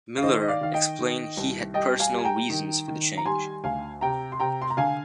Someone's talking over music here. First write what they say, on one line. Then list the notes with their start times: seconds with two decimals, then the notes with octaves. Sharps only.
Miller explained he had personal reasons for the change.
0.17 F5
0.23 D#3 C5 D#5
0.42 D#5
0.48 D5 F5
0.61 D#3 F5
0.73 D#5 G5
0.99 D#3
1.37 C2
1.74 G3 D#5 G5
1.99 F5 G#5
2.12 G3
2.18 G#5
2.25 G5 A#5
2.50 D#3
2.88 D#3
3.17 A#5
3.26 G3 G#5 C6
3.64 D2 F5 G#5
4.01 C3 G5 A#5
4.32 C6
4.40 C3 G5 A#5
4.62 C6
4.70 A#5
4.77 D3 F5 G#5